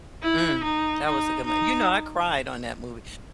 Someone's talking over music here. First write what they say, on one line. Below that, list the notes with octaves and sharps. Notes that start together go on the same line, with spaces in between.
Mm, that was a good mo you know, I cried on that movie,
E4
D#4
D#4
D#4